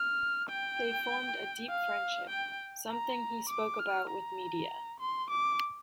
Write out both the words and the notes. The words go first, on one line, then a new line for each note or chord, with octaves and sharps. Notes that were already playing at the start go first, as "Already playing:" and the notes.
They formed a deep friendship, something he spoke about with media.
Already playing: F6
G5
F5
G5
A#5
D6
F6
A#5
C6
D6